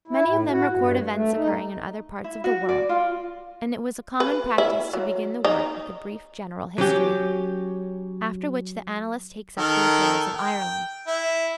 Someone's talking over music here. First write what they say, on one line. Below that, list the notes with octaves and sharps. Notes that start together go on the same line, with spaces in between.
Many of them record events occurring in other parts of the world; and it was a common practice to begin the work with a brief general history, after which the annalist takes up the affairs of Ireland.
E4
A2
F#4
G2
A3
D#4
E4
F#4
D5
F4
B4
E4
F#3
D#4
F#3 C#4 G4
D#3 A4 A#4
G5
E4